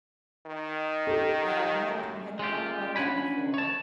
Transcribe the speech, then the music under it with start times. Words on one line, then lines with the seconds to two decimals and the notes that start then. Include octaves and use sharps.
Uh, I hadn't I hadn't thought about that before.
0.46 D#3
1.07 G4 A4
1.86 F#2
2.39 G#3 C#4 F4 G4
2.96 C#4 D4 F#5 G#5 B5
3.54 C#5 A5